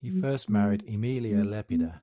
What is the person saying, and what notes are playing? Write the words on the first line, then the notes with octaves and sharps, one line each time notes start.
He first married Aemilia Lepida.
F#3
G#3
G#3
B3